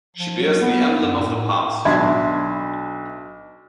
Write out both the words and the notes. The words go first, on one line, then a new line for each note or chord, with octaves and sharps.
She bears the emblem of the past.
F3
F#3
B3
F#2
A2
B1 D4 E5 B5 C6 G#6